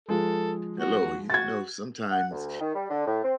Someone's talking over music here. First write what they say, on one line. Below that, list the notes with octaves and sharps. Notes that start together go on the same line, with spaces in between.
Hello, you know, sometimes,
F3 G#3 A4
F#4
F#4 G#6 A6
F#5
D2
D#3
G3
D3
A2
C4